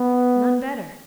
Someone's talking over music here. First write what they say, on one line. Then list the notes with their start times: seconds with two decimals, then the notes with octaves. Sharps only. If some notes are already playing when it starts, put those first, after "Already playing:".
"None better."
Already playing: B3